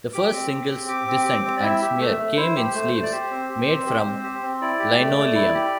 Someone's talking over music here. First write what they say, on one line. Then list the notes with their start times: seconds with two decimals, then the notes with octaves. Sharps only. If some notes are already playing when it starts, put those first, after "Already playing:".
The first singles, "Dissent" and "Smear", came in sleeves made from linoleum.
0.13 G4 D6
0.32 C4
0.51 G4
0.69 C4
0.88 G4 D6
1.08 C4
1.26 G4
1.44 C4
1.57 D5
1.62 E4 E5
1.82 G4
2.00 A3
2.19 A3
2.37 E4 C5
2.56 G4
2.75 A3
2.94 A3
3.03 D5
3.12 G4 C5
3.31 C4
3.50 G4
3.68 C4
3.87 G4
4.06 C4
4.23 G4
4.43 C4
4.61 E4 D5
4.79 G4
4.99 A3
5.18 A3
5.35 E4
5.54 G4